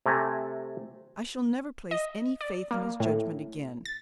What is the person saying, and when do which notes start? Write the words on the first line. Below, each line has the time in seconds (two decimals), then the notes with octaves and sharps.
I shall never place any faith in his judgment again.
0.06 C3 A3 G#5 A#5
1.91 D#5
2.41 D5
2.71 A#3
3.00 A2
3.85 A6